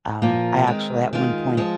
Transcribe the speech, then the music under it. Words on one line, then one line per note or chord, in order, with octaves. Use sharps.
um, I actually at one point,
A#2 F3 A#3
D#3 G#3 C4
D#3 G#3 F4
F3 G#3